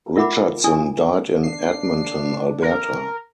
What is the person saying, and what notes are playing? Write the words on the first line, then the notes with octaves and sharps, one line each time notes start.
Richardson died in Edmonton, Alberta.
F4 A#4 E5 F#5 B5 D6
D4 E4 G#5 D#6
D4 C7
A#4